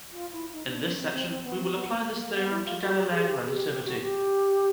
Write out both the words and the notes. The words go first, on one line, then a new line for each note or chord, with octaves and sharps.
In this section, we will apply this theorem to Galilean relativity.
F4
E4
D#4
D4
C#4
C4
C4
C4
B3
C4
B3
A#3
A#3
B3
E4
F4
F#4
G4
G#4
G4
G#4
G4
G4
F#4
G4